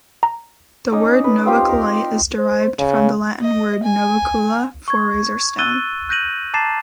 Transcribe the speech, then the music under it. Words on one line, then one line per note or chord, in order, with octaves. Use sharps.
The word novaculite is derived from the Latin word "novacula", for razor stone.
A#5
C#4 D#4 D6 D#6
B4
C4 F4 G4
A#4
C5
C#3
D#5
G#5
C#6 G#6
E6 F#6 A6 D#7 G7
F#6 G6 A#6 D#7 F#7
A5 A#5 D6 A6 C7 E7